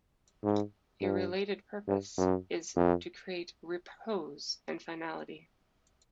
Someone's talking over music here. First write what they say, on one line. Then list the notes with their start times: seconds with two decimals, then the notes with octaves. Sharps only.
A related purpose is to create "repose" and finality.
0.43 G#2
1.01 G2
1.88 G2
2.17 F#2
2.76 F2